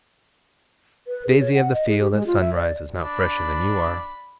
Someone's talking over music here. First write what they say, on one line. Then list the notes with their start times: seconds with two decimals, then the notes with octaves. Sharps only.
The daisy of the field, at sunrise, is not fresher than you are.
1.08 B4
1.27 G#4
1.40 C#5
1.54 F#5
1.73 D#5
1.88 G#4
2.00 G4
2.12 G#3
2.27 F4
2.40 E5
2.54 D5
3.03 D4 B5